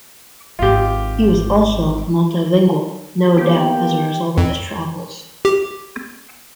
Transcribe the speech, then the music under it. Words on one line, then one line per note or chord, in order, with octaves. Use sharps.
He was also multi-lingual, no doubt as a result of his travels.
G#1 G#2 F4 G4
A#3 B3 G4
F2
G4